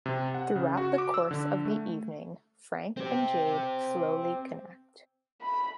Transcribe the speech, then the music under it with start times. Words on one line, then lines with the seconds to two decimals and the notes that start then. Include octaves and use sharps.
Throughout the course of the evening, Frank and Jade slowly connect.
0.06 C3
0.34 F#5
0.55 C#3
0.77 F#4
0.98 D6
1.14 E6
1.31 D3
1.65 A3
2.97 C4 G4
5.41 B5